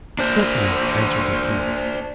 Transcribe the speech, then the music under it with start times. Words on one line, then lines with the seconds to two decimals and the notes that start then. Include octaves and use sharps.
"Certainly," answered Yaquita.
0.19 D4 C5